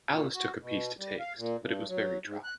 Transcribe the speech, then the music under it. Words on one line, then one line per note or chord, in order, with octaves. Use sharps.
Alice took a piece to taste, but it was very dry.
A#2
F#4
B2
G3
F5
A#2
G2
F#3
G#2
F#6